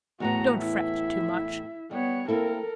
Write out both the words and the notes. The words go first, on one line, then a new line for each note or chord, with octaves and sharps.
Don't fret too much.
E2 A2 B3 F#4 A#5
E4 E5
G3 B3 C#5
A#3 C4 E4 A4 A#4